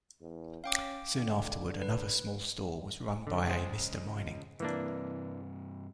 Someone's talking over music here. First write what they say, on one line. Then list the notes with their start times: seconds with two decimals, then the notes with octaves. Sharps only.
Soon afterward another small store was run by a Mr. Mining.
0.21 E2
0.64 C#4 F5 G5 D6
1.19 D3
1.82 B4
3.27 D3
3.48 C#3 G#3 G#4 C5
4.60 G2 C3 E3 A#3 D4